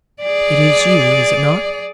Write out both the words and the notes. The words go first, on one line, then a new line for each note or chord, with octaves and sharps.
"It is you--is it not?"
G#4 D5